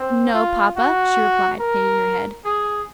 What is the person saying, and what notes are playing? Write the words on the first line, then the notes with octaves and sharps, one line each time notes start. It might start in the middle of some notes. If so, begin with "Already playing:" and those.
"No, papa," she replied, hanging her head.
Already playing: C4
F4
F#4
A#4
G#4